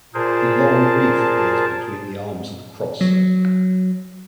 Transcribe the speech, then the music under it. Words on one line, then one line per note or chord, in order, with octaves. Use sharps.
A laurel wreath appears between the arms of the cross.
A#2 G#4 A#4 C5 A5
F#3